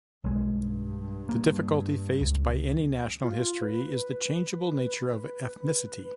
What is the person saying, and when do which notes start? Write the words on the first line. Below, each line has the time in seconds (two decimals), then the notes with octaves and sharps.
The difficulty faced by any national history is the changeable nature of ethnicity.
0.24 B1 G2 G#3
1.29 A#3
2.21 C#2
3.24 F4
3.61 B4